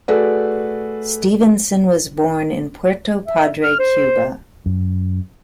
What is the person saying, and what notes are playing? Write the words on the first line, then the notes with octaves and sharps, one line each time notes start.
Stevenson was born in Puerto Padre, Cuba.
A3 F#4 G#4 A4 B4 D5
E5
F6
C5
F#2